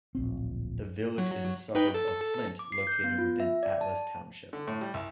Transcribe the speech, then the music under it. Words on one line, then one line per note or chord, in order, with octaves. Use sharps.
The village is a suburb of Flint located within Atlas Township.
D1 A#1 C4
F#3
D#4 B4 G5
A4
D6
C7
G6
B3
F4
E5
D5
A5
D3
A2
G3
C2